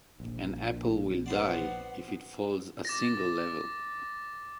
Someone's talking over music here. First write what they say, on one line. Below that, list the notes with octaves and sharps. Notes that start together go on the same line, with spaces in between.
An apple will die if it falls a single level.
A#1
B3 C5 D5 F#5
D6 A6 A#6